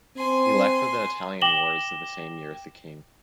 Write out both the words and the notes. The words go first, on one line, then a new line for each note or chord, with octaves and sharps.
He left for the Italian wars the same year with the king.
C4 G#5 C6
G5 D6 A#6 E7 F#7 G7